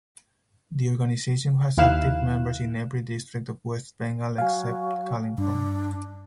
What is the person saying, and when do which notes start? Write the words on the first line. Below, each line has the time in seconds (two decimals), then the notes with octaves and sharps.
The organisation has active members in every district of West Bengal except Kalimpong.
1.77 D#2 E4 F5 F#6 E7
4.38 F#3 F5 G#5
5.38 G2 D4